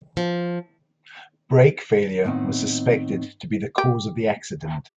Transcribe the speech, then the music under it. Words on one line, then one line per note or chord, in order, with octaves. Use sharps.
Brake failure was suspected to be the cause of the accident.
F3
A2 D#3 B3 C4 D#4
G4